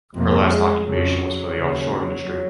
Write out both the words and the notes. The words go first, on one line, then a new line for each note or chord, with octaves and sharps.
Her last occupation was for the offshore industry.
F2 C3 A#3
G#3
F2 C#3 F#3
D#2 C#3